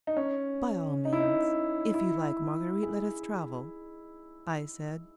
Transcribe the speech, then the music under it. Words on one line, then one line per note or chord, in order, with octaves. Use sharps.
"By all means, if you like, Marguerite, let us travel," I said.
D#4
C#4
D#4
E4
D#4
E4
G#4